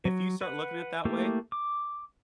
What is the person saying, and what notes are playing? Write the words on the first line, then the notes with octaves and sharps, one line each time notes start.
if you start looking at that way,
F#3
B4 F#5
A3 A#3 E4 G4
D6